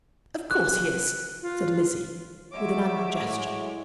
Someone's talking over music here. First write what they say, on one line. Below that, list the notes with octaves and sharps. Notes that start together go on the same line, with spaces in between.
"Of course he is," said Lizzie, with an angry gesture.
F#6
F4
F#3 G#3 C#5 E5 D6
A2